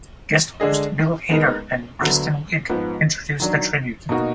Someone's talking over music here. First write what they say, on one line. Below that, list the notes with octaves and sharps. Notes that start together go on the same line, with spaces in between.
Guest host Bill Hader and Kristen Wiig introduced the tribute.
D3 G#3 D4 G#4 D#5
G#3 B3 D#4 A#4
D2 D3 F#3 B3
G#2 F3 B3
D#3 F#3 D4
B2 A#3 D#4 F#4